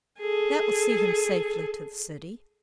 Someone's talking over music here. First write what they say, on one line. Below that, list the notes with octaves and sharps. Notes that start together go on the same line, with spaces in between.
That will see him safely to the City.
G#4 A4